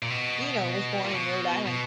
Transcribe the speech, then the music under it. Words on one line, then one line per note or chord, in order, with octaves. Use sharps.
Eno was born in Rhode Island.
A#2
B2
A#2
B2
B2